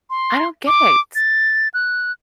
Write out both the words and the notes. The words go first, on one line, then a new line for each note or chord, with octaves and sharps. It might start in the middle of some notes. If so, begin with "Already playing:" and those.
I don't get it.
C6
D6
A6
F#6